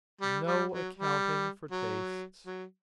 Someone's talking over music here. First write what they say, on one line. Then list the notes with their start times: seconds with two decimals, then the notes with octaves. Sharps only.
No accounting for tastes!
0.22 G3
0.47 G3
0.72 F#3
0.96 G3
1.71 F#3
2.47 F#3